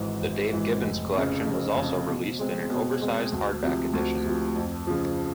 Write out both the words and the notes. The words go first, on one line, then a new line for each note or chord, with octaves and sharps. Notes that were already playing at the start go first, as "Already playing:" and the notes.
The Dave Gibbons Collection was also released in an oversized hardback edition.
Already playing: G#1 G#2 E3
G#1
G#2 E3
F1
F2 C#3
F1
F2 C#3
B2
G#3 C4
B2
G#3 C4
D2
C3 F3
D2
C3 F3
F2
C#3 F3